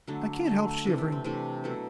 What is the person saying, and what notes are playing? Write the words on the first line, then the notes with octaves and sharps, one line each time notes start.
I can't help shivering.
D3 F#3 A3 D4
D3 F#3 A3
C3 E3 A3 D4
D4
C4
C3 E3 A3 D4
B2 F#3 A3